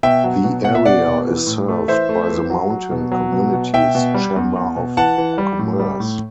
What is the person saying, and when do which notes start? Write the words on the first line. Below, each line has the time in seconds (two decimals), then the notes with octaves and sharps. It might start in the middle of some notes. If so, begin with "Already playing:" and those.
The area is served by the Mountain Communities Chamber of Commerce.
0.03 B2 E5 G5
0.24 F#3
0.44 B2
0.64 B2 F#5
0.75 E5
0.85 B2 D5 F#5
1.06 B2
1.27 E3
1.47 A2
1.68 A3
1.88 E3 C5 E5
2.09 A3
2.30 E3
2.50 F#3
2.70 F#3
2.91 B2
3.12 F#3
3.33 B2
3.53 B2
3.74 B2 E5 G5
3.95 B2
4.14 G3
4.36 E2
4.56 E2
4.76 B2
4.97 E3 F#5 A5
5.18 E3
5.38 G3
5.59 A2
5.80 G3
6.00 A2